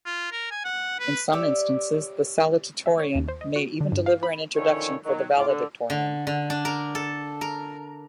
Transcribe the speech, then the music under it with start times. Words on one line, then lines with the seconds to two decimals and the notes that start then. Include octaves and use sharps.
In some instances, the salutatorian may even deliver an introduction for the valedictorian.
0.05 F4
0.32 A#4
0.51 G#5
0.65 F#5
1.00 B4
1.33 G4 C#5 D5 E5
2.86 E5
2.99 C#5
3.15 D#2
3.28 C5
3.41 D#5
3.56 F#4
3.81 D3
3.92 G2
4.06 F5
4.23 B5
4.55 D3 D#3 F3 C#4 E4 C#5
5.05 D#3 F#3
5.36 A2 F4 D6
5.47 D3
5.90 D3
6.27 D3
6.50 D4
6.65 A#4
6.95 A4
7.41 A#4